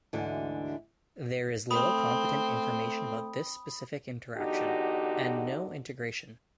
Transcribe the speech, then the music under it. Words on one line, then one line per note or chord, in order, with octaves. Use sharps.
There is little competent information about this specific interaction, and no integration.
D2 G#2 D3 E3 F#4 G#5
A3 C4 B5 D#6
E2 D3 D#4 F#4 G4